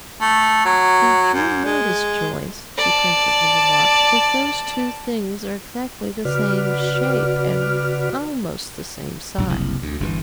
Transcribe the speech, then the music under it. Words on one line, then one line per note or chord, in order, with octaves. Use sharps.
"Did you notice, Joyce," she presently remarked, "that those two things are exactly the same shape, and almost the same size?"
A3
F#3
F#2
G#3
D5 A5
C#3 F#4 B4 D5 F6
A#1 G2 G3
F#1 C2
D2
G1 G2 B2 E3